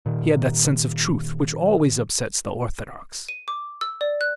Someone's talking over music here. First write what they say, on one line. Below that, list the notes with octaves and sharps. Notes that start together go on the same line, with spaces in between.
He had that sense of truth which always upsets the orthodox.
A#2 D#3
D#7
D6
E6
D5
F#6